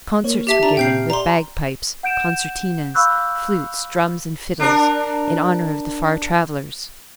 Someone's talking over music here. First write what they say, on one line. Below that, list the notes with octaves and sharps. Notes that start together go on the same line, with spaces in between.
Concerts were given, with bagpipes, concertinas, flutes, drums, and fiddles, in honour of the far-travellers.
A#3 C#5
G4 E5 A5
D4 A5 A#5
A#2 C4 G5 F6 G6 C7
D5 A#5 C6
F#5 G6 D7 E7
F5 B5 C#6 E6 F#6 G6
D4 A#4